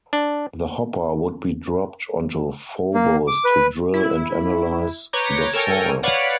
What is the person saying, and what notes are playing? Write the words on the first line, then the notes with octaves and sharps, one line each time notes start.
The hopper would be dropped onto Phobos to drill and analyze the soil.
D4
A#3
D6
B4
E4
B4 C#5 A#5 D6 G6
A4 A#4 C#5 G5 G#5 A#5
B4 C#5 D5 F5 F#5